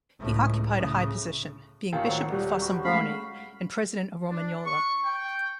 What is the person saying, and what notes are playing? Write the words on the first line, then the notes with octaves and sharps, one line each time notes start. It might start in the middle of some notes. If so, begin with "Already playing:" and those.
He occupied a high position, being bishop of Fossombrone and president of Romagnola.
C#2 A2
A2 C#3
A1 A#3 F4 G5 A5 C#6
D#3 F#3 C5
D#1 G3
F#4 B4
G#3 A3 C#4 F5 B5
D4
C#6
G5